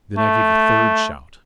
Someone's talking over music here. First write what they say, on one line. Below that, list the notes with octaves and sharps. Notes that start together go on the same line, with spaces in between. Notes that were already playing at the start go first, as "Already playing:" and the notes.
Then I gave the third shout.
A3